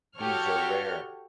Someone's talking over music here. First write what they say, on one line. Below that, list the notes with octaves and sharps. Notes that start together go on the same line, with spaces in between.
These are rare.
F#4 G4 A4 C#5 C#6 F6